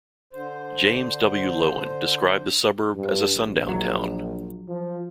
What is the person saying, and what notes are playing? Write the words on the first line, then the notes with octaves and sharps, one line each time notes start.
James W. Loewen described the suburb as a sundown town.
D3 C5
G2
A#1
F#3
F3